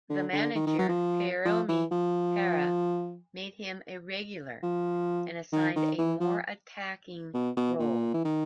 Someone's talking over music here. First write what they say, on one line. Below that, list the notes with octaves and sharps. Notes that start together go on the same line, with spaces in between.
The manager Hiromi Hara made him a regular and assigned a more attacking role.
D3
D3
D#3
D#3
F#3
F3
F3
E3
F3
F3
D#3
D#3
E3
F3
B2
B2
A#2
E3
D#3